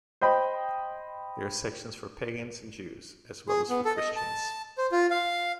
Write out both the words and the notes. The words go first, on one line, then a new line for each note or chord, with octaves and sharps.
There are sections for Pagans and Jews, as well as for Christians.
C5 D#5 G5 B5
G#4
B3
A4
D#5
A5
C5
F4
F5